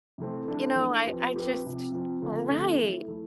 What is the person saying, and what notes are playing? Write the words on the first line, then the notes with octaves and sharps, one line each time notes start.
You know, I I just Right.
C3 E3 A3 C4
E3 A3 D4 A4
E3 A3 D4 A4
F3 C4 G4 B4
F3 C4 G4 B4
C3 F3 C4
C3 F3 C4
D3 F3 A3 C4
D3 F3 A3 C4
E3 A3 E4
E3 A3 E4